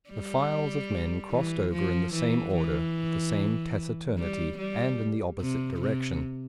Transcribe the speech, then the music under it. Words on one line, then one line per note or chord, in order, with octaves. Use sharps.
The files of men crossed over in the same order, with the same taciturnity, and in the opposite direction.
G3
E3
F3
E3
E3
G3
G3
C3
C3